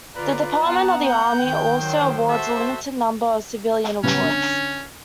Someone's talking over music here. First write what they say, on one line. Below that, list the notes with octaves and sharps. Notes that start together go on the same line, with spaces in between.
The Department of the Army also awards a limited number of civilian awards.
D3 F4 A#4 B4 D5
B3 F#5 A5 A#5
G6
D#3 G5
F#3 C5
F#4 A4 C5 E5
C#3 G3 B3 C#4
D3